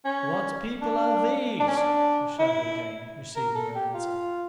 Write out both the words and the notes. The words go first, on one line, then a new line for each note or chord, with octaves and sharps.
"What people are these?" he shouted again, receiving no answer.
C#4
D4
D4
C#4
D4
E4
A#4
A4
G4
F4